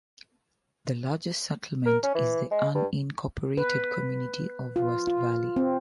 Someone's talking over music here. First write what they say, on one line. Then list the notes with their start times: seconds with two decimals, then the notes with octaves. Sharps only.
The largest settlement is the unincorporated community of West Valley.
1.86 A#4
2.03 C#4
2.15 E3
2.51 G#3
2.74 G2
3.57 B4
4.76 F4
5.07 F4
5.56 C4